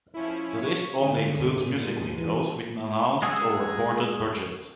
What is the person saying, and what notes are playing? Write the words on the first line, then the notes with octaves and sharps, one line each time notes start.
This list only includes music videos with an announced or reported budget.
F3 C#4 E4
C#5
G#2 D3 D#7
A#2
E3
G#3 G#4 F#5 D#6 E6